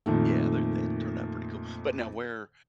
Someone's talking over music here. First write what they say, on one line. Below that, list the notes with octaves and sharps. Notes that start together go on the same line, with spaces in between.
Yeah, they're they had turned out pretty cool. But now where
F2 A#2 D#3 A3